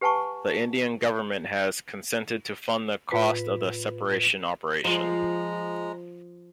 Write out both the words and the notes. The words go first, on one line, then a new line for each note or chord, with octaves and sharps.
The Indian government has consented to fund the cost of the separation operation.
G4 B4 F#5 G#5 A5 C#6
A2 F4 B4 B6
F3 G#3 A#5